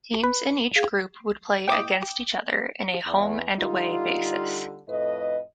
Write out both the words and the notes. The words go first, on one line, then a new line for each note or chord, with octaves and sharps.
Teams in each group would play against each other in a home-and-away basis.
B4
G#4 F5
G5 D6 D#6
E2
D3 G3 D#4 F4
F2 A2 B4 D#5